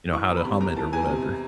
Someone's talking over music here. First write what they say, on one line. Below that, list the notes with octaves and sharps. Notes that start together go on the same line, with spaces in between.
you know, how to hum it or whatever.
E3 C#6
E2
B5
C3
E2 A#5
E3 A5
E2 G#5
C3